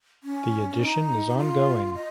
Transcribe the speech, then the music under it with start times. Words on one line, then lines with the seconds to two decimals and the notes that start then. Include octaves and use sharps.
The edition is ongoing.
0.23 C#4
0.70 C#4
0.81 D#4
1.28 D#4
1.38 F4
1.95 D#5